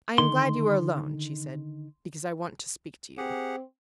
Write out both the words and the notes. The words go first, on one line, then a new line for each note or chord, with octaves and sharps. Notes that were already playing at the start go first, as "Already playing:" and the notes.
"I am glad you are alone," she said, "because I want to speak to you."
D3 D#3 C6
C4 G4 G#4 F#5